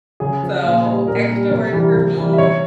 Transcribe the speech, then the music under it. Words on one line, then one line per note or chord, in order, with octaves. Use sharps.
So, extra work for me,
C#3 G#4
F3
A#2
G3
A#2 A#4
G3
C3
E3 G3
C3
E3 G3
E5
C3 C#5